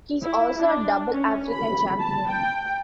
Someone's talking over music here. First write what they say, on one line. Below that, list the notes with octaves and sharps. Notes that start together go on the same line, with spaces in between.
He is also a double African champion.
E4
D4
C#4
B5
A5
G5